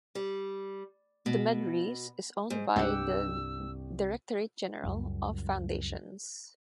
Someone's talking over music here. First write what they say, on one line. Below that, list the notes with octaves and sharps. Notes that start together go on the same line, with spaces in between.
The medrese is owned by the Directorate General of Foundations.
G3
B2
G#2
C2 G2 G4 F#5 E6
C#2 F#2 G3